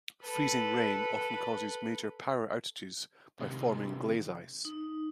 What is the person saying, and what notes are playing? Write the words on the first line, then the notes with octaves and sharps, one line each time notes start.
Freezing rain often causes major power outages by forming glaze ice.
A4 B4
C3 D#3
D#4